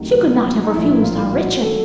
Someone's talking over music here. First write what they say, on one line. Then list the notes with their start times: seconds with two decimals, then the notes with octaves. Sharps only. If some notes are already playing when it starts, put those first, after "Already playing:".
She could not have refused our Richard.
Already playing: D2 C3 D#3 F#3
0.63 D#4
0.72 A#1 A2 F3 A#3 E4
0.92 E4
1.02 F4
1.32 F#4
1.61 D#3 F#3 A3 A4